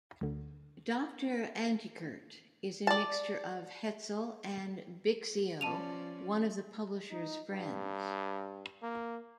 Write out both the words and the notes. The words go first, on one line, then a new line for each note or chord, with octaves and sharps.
Doctor Antekirtt is a mixture of Hetzel and Bixio, one of the publisher's friends.
D2 D3
D5 A5
F3 C#4 D5 A5 D#7 F7
D#4
G2
A#3